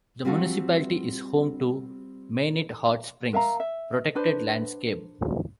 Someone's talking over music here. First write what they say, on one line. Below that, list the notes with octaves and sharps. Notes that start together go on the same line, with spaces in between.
The municipality is home to the Mainit Hot Springs Protected Landscape.
G3 C4 F4 F#4 A4
A#4 E5 F5 A#5
E5
D4 B4 C5